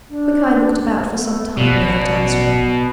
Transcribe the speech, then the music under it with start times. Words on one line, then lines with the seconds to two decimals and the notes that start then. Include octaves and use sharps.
Quickeye looked about for some time without answering.
0.10 D4
1.12 A3 B3
1.57 B2 G3 F4
1.71 A1 D5